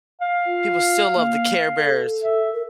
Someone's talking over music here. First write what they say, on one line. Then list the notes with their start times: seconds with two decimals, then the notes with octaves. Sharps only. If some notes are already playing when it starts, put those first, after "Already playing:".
People still love the Care Bears.
0.22 F5
0.46 F4
1.15 A#3
1.77 A4
2.23 E5
2.53 A#4